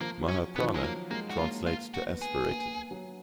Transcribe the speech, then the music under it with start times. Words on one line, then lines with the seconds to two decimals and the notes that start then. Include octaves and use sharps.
"Mahaprana" translates to "aspirated".
0.01 F3 A#3
0.21 F#3
0.28 C#4
0.56 D#3 B3
0.63 F3
0.75 G#3
0.84 F#3 A#3
1.11 G#3 A#3
1.30 F#4
1.39 A#3 F4
1.66 A#3 F4
1.94 F#4
2.07 B3
2.22 G#4
2.49 A#3
2.91 F#3